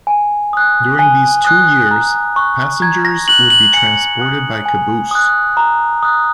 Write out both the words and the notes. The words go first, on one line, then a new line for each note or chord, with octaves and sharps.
During those two years, passengers would be transported by caboose.
G#5
D#6 F#6
G#5
D#6 F#6
A#5
C#6 F#6
A#5 G#6
A#6
C#6 F#6 F#7
F#7
G#5 C#7
D#6 F#6
G#5
D#6 F#6
A#5
D#6 F#6